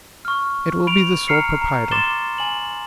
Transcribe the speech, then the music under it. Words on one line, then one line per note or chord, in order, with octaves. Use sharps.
It will be the sole proprietor.
C#6 F6
B5 D7 F7
A#5 F6 C7 C#7
A#5
C6 D6 A6 E7 G7
G#5 F#7